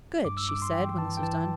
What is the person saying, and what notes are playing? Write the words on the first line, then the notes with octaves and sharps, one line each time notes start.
"Good!" she said, when this was done.
G2 D6
E6
G2 D6
C6
E3 G5
E3 A5
G5
E3 A5